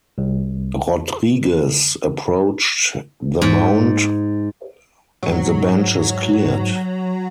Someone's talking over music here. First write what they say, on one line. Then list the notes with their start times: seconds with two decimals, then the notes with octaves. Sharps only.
Rodriguez approached the mound and the benches cleared.
0.18 C2
3.42 G#2
5.23 G#2 F#3